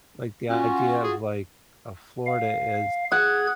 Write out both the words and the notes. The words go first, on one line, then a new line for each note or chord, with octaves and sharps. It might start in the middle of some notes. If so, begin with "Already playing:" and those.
like, the idea of like, uh, Florida is
C#4 F4 F#4
G#4
F5
G#4 F#5 G#6